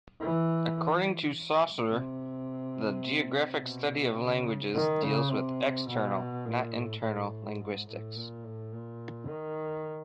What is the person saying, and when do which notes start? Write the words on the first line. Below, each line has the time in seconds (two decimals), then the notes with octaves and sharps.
According to Saussure, the geographic study of languages deals with external, not internal, linguistics.
0.20 E3
1.90 C3
3.61 B2
4.17 C#3
4.75 D#3
5.03 C#3
5.31 C3
5.89 B2
6.45 A#2
6.73 A2
7.02 A2
7.59 G#2
7.87 A2
8.16 A#2
8.44 A2
8.72 A#2
9.28 D#3